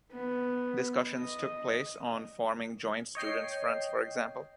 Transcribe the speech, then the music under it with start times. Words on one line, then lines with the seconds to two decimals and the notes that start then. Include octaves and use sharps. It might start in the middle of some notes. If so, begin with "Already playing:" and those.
Discussions took place on forming joint students fronts, for example.
0.12 B3
1.08 D#5
3.15 C#5 D#5 G5 C7